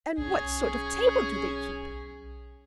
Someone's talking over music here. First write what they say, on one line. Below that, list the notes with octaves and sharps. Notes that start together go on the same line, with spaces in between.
And what sort of table do they keep?
B1 C#4 G#4